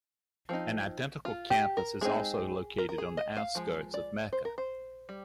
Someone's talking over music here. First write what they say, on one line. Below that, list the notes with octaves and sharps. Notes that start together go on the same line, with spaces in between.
An identical campus is also located on the outskirts of Mecca.
F3 C4 D#4
F4
G4
A#4
G#3 C4 D#4 G#4
A#4
A#4
G#4
D#5
F5
F3 G#3
D5
C5
A#4
C5
G3